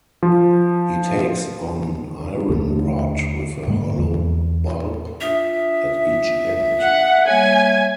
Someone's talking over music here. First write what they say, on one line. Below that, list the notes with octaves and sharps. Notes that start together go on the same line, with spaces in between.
He takes an iron rod with a hollow bulb at each end.
F3
D#2 D3 A3 D4
G#2 D3 G#3 A#3
E2
D4 F4 E5 D#6
F#5
G3 A#3 C#5 G#5